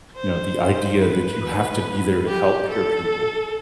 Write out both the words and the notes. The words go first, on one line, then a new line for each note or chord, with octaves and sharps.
you know, the idea that you have to be there to help your people,
C5
B4
G4
A4